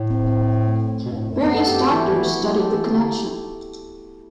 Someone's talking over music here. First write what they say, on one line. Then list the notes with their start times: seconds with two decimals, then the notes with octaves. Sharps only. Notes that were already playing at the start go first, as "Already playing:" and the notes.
Various doctors studied the connection.
Already playing: A2
0.10 C4
0.27 C4
0.43 C4
0.68 A3
1.05 B2
1.11 G2
1.17 A2
1.30 F#2
1.42 F#2 B3
1.54 G2 A4
1.67 F#2 G4
1.79 G2 F#4
1.91 E3 E4
2.09 E3
2.16 F#4
2.24 E3
2.42 F#3 G4
2.57 F#3 A4
2.74 E3 A4
2.91 D3 G4